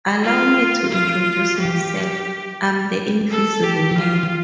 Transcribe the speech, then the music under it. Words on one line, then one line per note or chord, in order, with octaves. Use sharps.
Allow me to introduce myself--I'm the Invisible Man!
F4
F4
G4
A4
G4
F4